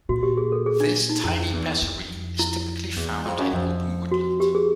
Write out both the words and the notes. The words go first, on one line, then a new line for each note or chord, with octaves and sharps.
This tiny passerine is typically found in open woodland.
A#2 F#4
G4
G#4
A4
G#4
D4
D#4
F2 E4
E2
F2
E4
E2
F2
F#2
F2
F#4
G4
G#4